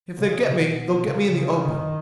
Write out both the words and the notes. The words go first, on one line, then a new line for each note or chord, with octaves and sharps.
If they get me, they'll get me in the open.
C#3
B2
B2
C#3
C#3
D#3